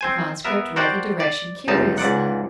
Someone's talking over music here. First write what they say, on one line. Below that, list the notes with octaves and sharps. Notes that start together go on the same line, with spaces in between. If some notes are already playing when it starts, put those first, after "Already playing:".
The conscript read the direction curiously.
C4 C5 G#5
B3 A#4 E5
F#4 A#4 C5 D5 F#5 G5
D5
G1 C#2 F#2 D#4 A5
C#2 G#2 D5 F#5